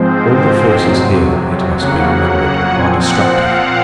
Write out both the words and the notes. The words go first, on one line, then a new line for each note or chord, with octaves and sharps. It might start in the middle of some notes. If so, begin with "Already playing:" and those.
All the forces here, it must be remembered, are destructive.
Already playing: G#2 F3 G#3 C4 C5
F2 C3 F#3
F2 C#3 F#3 A#3 F#5
A#2 F3 C4 G#5
F#5
F5